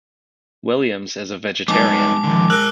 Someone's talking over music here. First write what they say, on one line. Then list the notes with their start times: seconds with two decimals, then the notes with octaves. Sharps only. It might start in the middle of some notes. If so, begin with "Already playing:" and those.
Williams is a vegetarian.
1.68 G3 G#3 B3 D#4 A5 D6
2.24 D3 D#3 F3
2.50 A#4 C5 E6 F#6 F#7